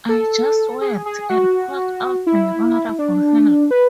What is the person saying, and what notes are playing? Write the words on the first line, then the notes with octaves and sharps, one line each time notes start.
I just wept, and called out to my mother for help.
A4
G#4
G#4
F#4
E4
D4
B4